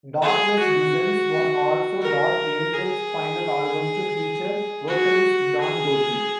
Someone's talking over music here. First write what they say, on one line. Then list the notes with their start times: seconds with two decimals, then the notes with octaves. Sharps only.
"Darkness Descends" was also Dark Angel's final album to feature vocalist Don Doty.
0.22 G#4
0.59 F#4
2.02 A#4
2.73 G#4
4.88 F#4
5.61 G#4